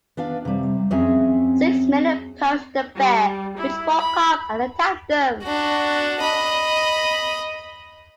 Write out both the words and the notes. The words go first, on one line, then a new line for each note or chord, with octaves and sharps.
Six men approached the bear, which woke up and attacked them.
B3 D4 F5
C3 G3
F2 F#3 C4 C#4 G#4 E5
G3
E4
B5
D4 F#4
D#5 B5